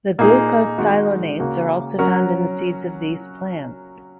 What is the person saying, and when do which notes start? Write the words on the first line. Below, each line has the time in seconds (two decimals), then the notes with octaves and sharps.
The glucosinolates are also found in the seeds of these plants.
0.19 A#2 A#3 D#4 G#4
0.78 D#3 G#3 D#4 F#4
1.40 C#3 A#3 F#4
1.98 F#3 C#4 F#4 A#4